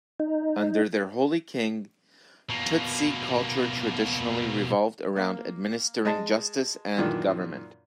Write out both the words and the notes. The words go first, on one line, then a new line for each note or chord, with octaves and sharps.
Under their holy king, Tutsi culture traditionally revolved around administering justice and government.
D#4
B2 A#3
A#3
G#3 D#5 A5
F#2 A#2 D#3 E3 D4